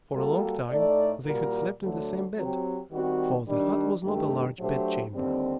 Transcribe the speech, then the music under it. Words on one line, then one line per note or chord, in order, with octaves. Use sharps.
For a long time they had slept in the same bed, for the hut was not a large bedchamber.
G3 A#3 F#4 A4
A2 A3 D#4 A4 D5
A#2 G3 A#3 F#4 A#4
D2 D3 F#3 A3
F#3 C4 G4
D#3 G3 C4 F#4
D#3 G3 D4
G2 D#3 A3 D4 G4
F#3 A3 D4 G4 C5
D#2 D3 G3 C4